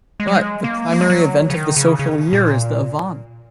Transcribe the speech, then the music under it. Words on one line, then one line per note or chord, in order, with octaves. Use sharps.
But, the primary event of the social year is the Avante!
G#3
F#3
G#3
A#3
A#3
G#3
F#3
C#3
D#3
C#3
C#3
A#2